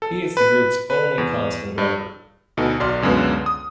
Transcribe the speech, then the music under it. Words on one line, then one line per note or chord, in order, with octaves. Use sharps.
He is the group's only constant member.
A4
B4
B4
E2
G2
D2 B2 D#4 A4
B1 F#3 D5 C6 F6
C#2 F#2 B2 D3 B3
D#6